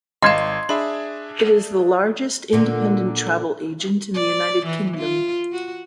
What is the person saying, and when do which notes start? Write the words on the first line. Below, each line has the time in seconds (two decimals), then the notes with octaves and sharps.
It is the largest independent travel agent in the United Kingdom.
0.22 G#1 D#5 F5 C6 G#6 C7 E7
0.69 D4 G#4 E5 B5
2.53 A#2 D3
4.14 D5
4.66 E3
4.97 F4
5.52 F#4